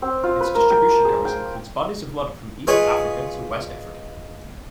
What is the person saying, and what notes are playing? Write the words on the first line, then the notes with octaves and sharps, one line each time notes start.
Its distribution covers includes bodies of water from East Africa to West Africa.
C4
F4
B4
A#4
G5
A5
G#4
G5
G#3 F4 G#4 B4 C#5